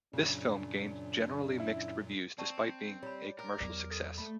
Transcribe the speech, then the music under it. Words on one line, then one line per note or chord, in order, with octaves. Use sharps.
This film gained generally mixed reviews despite being a commercial success.
F#2 A#2 C#3 F#3 D4
E4
C4 D5 A5 C#6
G3 C#5 B5
G4 A#4
E2 F#3 D5
A4
A3 B5